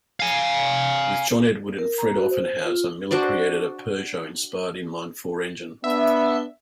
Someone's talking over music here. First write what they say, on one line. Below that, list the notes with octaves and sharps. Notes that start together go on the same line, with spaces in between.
With John Edward and Fred Offenhauser, Miller created a Peugeot-inspired inline-four engine.
F5 G#5
A#4
A#5
F#4
C5
F4
D4 F#4 C5 D5
B3 D4 E5